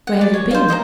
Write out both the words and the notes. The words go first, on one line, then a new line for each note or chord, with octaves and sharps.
Where have you been?'
F#5
D5
C#5
C5 F5
C5 D#5 F#5 A#5